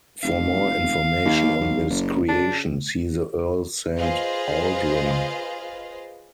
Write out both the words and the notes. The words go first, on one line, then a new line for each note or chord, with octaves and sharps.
For more information on this creation, see the Earl Saint Aldwyn.
F1 F5
D#2
B1
F#1
C#3 D4
F4 G#4 B4 C5 D#5 F5